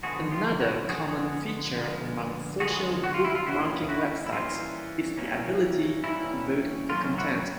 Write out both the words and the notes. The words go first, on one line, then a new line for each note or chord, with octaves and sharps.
Another common feature among social bookmarking websites is the ability to vote for content.
D3 F3 G#3 B3 F#4 G#4
F4 G4
E4 F#4
D3 F3 G#3 B3 F#4 G#4
D3 F3 G#3 B3
D3 F3 G#3 B3 F#4 G#4
F#4
F4
E4
F4
E3 G3 A#3 C#4 E4 F#4
E4 F#4
E4
E3 G3 A#3 C#4 F4
E3 G3 A#3 C#4
E3 G3 A#3 C#4 E4
D#3 F#3 A#3 C#4 F4
E4 F#4